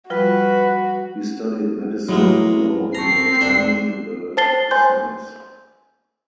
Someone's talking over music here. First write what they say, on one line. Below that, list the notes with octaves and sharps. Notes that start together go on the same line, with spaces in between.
He studied medicine and law before joining the Hussars.
F3 G3 F4 F#4 B4
A2 F#3 G#3 A#3
C4 A5 A#5 C#6 C7
D4 A4
C5 A5 A6 C7 G7
C5 G#5 C6 G6